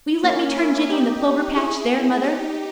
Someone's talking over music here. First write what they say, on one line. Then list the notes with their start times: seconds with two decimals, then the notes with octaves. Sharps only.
Will you let me turn Jinny in the clover patch there, mother?
0.23 A#3 C#4
0.57 C#4 E4
0.90 D#4 G4
1.56 E4 G#4
2.24 D#4 G4